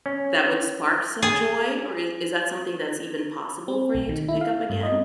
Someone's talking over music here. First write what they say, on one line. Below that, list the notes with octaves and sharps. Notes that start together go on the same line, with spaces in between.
that would spark some joy, or is that something that's even possible for you to pick up again?
C#4
G#4
C4
B1
D#3
E4
F5
G2
D#5